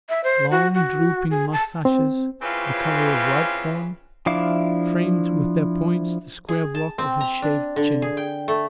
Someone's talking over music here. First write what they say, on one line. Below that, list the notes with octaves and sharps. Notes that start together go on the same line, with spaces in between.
Long, drooping moustaches, the colour of ripe corn, framed with their points the square block of his shaved chin.
E5
C5
F#4
F#4
G#4
A5
C4
C#3 E3 C4 C#4 F4 B4
F3 D4 E4 F5 D6
G#4
A5
C4
A#5
D4
D3
G#4
G5
A3